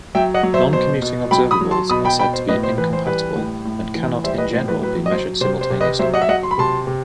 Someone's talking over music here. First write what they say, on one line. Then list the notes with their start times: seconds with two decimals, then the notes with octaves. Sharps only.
Noncommuting observables are said to be "incompatible" and cannot in general be measured simultaneously.
0.15 F#3 E5 G5
0.34 D#5 F#5
0.43 F#3
0.54 C5 E5
0.73 B2 C5
1.02 B2
1.31 F#3 G5 B5
1.51 B5 D#6
1.61 F#3
1.71 A5 C6
1.90 B2 B5 D#6
2.05 G5 B5
2.19 B2 G5 B5
2.33 C5
2.48 A2 B4 D#5
2.63 C5
2.78 E3 B4
2.93 C5
3.07 G3 B4
3.36 A2
3.65 A2
3.95 E3
4.24 G3 C5 E5
4.38 B4 D#5
4.53 A2 C5
4.68 B4
4.82 F#3 B4
5.06 D#5
5.11 F#3 C5
5.41 C3 C5
5.61 C5
5.70 C3
5.81 B4 D#5
5.99 F#3 C5 E5
6.14 D#5 F#5
6.22 E5
6.28 F#3 D#5 F#5
6.43 C6
6.51 B5
6.58 C3 A5 C6
6.87 C3